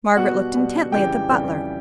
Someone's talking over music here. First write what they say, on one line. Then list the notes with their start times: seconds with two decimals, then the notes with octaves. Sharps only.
Margaret looked intently at the butler.
0.17 B2 G3 B3 F#4 F#5
0.55 B2 G3 B3
0.92 F2 C#3 E3 G3 G4 G5
1.31 F2 C#3 E3 G3